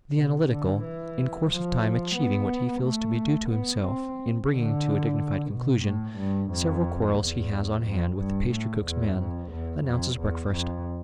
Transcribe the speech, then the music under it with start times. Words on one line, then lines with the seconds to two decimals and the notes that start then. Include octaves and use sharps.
The Analytical, in course of time achieving what he feels to be due to himself in bringing to a dignified conclusion several quarrels he has on hand with the pastrycook's men, announces breakfast.
0.15 C3
0.48 D3
0.82 E3
1.49 F3
2.15 B3
2.82 A3
3.49 B3
3.82 C4
4.49 D3
5.50 B2
5.83 A2
6.17 G2
6.51 F2
7.17 E2
7.84 F2
8.17 G2
8.50 A2
8.84 E2
9.18 F2
9.51 E2
9.84 F2
10.18 E2
10.51 F2